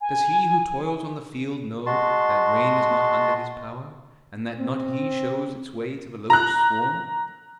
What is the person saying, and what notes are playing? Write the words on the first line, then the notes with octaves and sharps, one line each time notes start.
Does he who toils on the field know that rain is not under his power, and that not he shows its way to the locust swarm?
G#5
G#3 F#4 A5 C6
C4
A#5 F#6